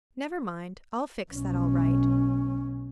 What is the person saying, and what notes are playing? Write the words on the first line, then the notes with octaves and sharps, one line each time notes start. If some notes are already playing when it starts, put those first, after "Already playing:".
Never mind, I'll fix that all right.
B1 C#4